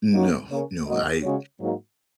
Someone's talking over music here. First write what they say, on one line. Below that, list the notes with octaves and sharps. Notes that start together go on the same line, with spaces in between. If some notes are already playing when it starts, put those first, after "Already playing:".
No, no, I
F#3 A#3 D#4 F#4 C#5
C#3 A#3 C#4 A#4 C#5
G#2 F#3 A#3 F#4 D#5
C#3 G#3 C#4 F#4 C#5
G#2 F#3 A#3 D#4 F#4